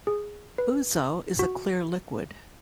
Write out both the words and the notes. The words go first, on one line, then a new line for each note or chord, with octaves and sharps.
Ouzo is a clear liquid.
G#4
B4
F#4